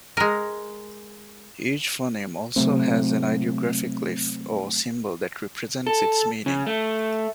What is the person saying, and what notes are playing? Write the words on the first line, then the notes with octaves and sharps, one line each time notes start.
Each phoneme also has an ideographic glyph or symbol that represents its meaning.
G#3 A#4
C3 F#3 A3 C4
A4
C#3
A3